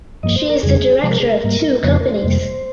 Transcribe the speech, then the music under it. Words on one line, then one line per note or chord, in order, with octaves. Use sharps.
She is the director of two companies.
G2 F3 A#3 D#5
C5
A#4
F2 C#3 G3 G#4
C3 F3 G#3 C5
A#4
G#4
A#4
G#2 G3 A#3
F2 C#3 F3 A#3 C#5
C5
A#4
C5
F2 C3 G3 A#3